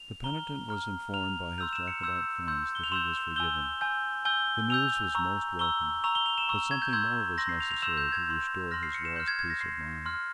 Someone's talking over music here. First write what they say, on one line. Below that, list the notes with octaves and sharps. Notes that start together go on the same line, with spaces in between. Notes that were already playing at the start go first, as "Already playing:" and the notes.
The penitent was informed by his Jacobite friends that he was forgiven. The news was most welcome; but something more was necessary to restore his lost peace of mind.
Already playing: F7
A#5 F6 G7
A#5 F6
A#5 F6 F7
C6 E6 G6 F7
E7
C#7
C6 E6 G6 E7
C6 E6 G6
G7
F7
C6 E6 G6 E7
G#5 E6 G6 G7
G#5 E6 G6
G#5 E6 G6 G7
G#5 E6 G6 F7
A#5 C#6 E6
A#5 C#6 E6 G7
A#5 C#6 E6 F7
G7
F7
E7
A#5 C#6 E6
G#6
G6
C6 E6 G6 G#6
C6 E6 G6 A#6
C7
F7
F7
C6 E6 G6 E7
G6
G#6
C6 E6 G6
C6 F6 A#6
C7
C#7
E7
C6 F6 G6
G#6
G#6
A#6
C6 F6 C7
C6 F6